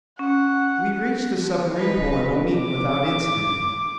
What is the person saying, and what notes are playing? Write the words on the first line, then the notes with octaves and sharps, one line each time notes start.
We reached the submarine pool in Omean without incident.
C#4 F#5
F3
D#4 B4
D6